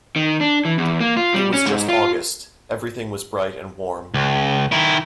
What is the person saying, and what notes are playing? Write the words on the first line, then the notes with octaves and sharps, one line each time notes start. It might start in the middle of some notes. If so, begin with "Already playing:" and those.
It was just August; everything was bright and warm.
D#3
D4
E3
E2
A#3
F4
G3
C#4
G#2
F4
C#2
D#3 E4